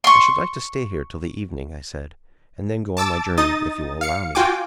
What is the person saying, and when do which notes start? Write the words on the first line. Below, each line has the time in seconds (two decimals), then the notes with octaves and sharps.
"I should like to stay here till the evening," I said; "and then go on my journey, if you will allow me."
0.04 C6 C#6
2.97 A5 D6 E6 A6
3.38 D#4 D#5 D#6 A6
4.01 F5 C#7
4.35 F4 F#4 G5 G#5 D6